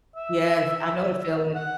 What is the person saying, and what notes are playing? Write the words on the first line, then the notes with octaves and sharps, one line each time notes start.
Yes. I know the feeling.
E5
F#5